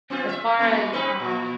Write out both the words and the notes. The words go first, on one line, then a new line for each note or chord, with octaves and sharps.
as far as, um,
B3 C4 F4
E5
F#2 A#3 B3
C4 D#4 B4
A#2